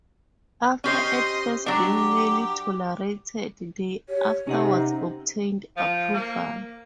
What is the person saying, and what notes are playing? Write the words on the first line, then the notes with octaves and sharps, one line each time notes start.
After at first being merely tolerated, they afterwards obtained approval.
C#4 G4 C5 D#5 C6
F#3 D4 G4
G4 C#5
C3 C#4 D#4 G4 D#5 F#5
F3
A#3